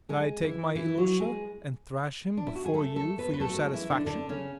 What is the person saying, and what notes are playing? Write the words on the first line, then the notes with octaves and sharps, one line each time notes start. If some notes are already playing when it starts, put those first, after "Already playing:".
That I'd take my Ilusha and thrash him before you for your satisfaction?
G#3 G#4
E3 E4
E3 E4
F#3 F#4
G#3 G#4
D4
E4
F#4
G#4
A3 A4
A3 A4
B3 B4
B4
A3 A4
F#4
G#3 G#4
E3 E4
D3 D4
D3 D4
C#3 C#4